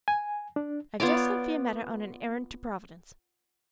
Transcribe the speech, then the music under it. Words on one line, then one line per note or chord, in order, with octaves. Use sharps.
I have just sent Fiametta on an errand to Providence.
G#5
D4
B3 F4 C#5 D5